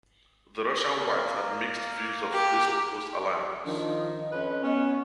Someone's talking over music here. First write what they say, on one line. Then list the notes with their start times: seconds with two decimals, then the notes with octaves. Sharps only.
The Russian Whites had mixed views of this proposed alliance.
0.97 A#3
2.32 G4
3.65 D#3 F3 D4
3.81 D#5
4.32 F2 C#4 B4
4.62 B3 C#4